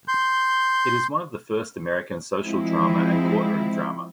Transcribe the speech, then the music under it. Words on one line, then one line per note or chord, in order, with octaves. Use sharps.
It is one of the first American social drama and Courtroom drama.
C6 G6
F3 G#3 C4 E4